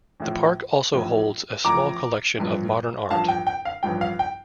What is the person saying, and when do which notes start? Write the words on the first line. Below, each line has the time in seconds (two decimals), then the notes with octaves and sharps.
The park also holds a small collection of modern art.
0.20 A1 A2 F3
0.93 A1 A2 F3
1.65 A1 A2 F3 A#5 D6
2.38 A1 G2 F3
3.10 A1 G2 F3 F5 A5
3.28 G5
3.47 G5
3.65 F5
3.83 A1 G2 F3 G5
4.01 F5
4.19 G5